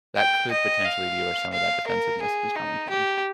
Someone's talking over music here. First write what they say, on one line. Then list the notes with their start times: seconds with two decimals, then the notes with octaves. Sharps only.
that could potentially be where some of that defensiveness is coming from.
0.17 G5
0.52 D#5
0.85 F5
1.53 F5
1.87 A#4
2.22 G#4
2.55 D#4
2.90 G4